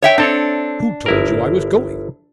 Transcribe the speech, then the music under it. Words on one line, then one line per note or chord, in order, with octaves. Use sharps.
"Who told you I was going?"
C#5 E5 G5
C4 D4 A4 C#5
G1 E4 A#4